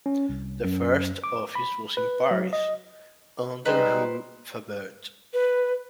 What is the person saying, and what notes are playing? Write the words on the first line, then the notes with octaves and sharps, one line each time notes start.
The first office was in Paris on the rue Fabert.
C#4
C2
F#2
D6
B5
B4
F#3
D#5
G3 G#3 D#4 B4 C5
B4